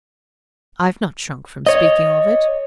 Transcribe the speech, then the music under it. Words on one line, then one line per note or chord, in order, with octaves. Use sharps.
"I've not shrunk from speaking of it."
C#5 D#5